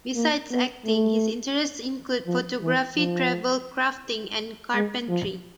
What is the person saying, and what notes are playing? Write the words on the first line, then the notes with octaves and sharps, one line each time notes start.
Besides acting, his interests include photography, travel, crafting, and carpentry.
A#3
B3
A3
F3
E3
F3
G#3
F3